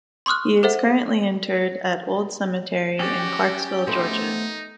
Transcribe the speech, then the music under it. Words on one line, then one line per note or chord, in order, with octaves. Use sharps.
He is currently interred at Old Cemetery in Clarkesville, Georgia.
C6 C#6 D#6 F6 F#6
A4 C5 E5 F#5
C#4 F#4 G4 D5 G5
A3 B3 C4 D#4